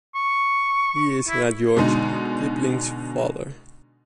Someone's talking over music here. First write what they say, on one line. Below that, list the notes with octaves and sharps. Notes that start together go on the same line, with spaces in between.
He is Rudyard Kipling’s father.
C#6
E4
B2 D3 G#3 D#4